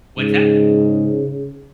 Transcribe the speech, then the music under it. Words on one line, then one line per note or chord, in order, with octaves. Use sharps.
What's that?
G#2 C#3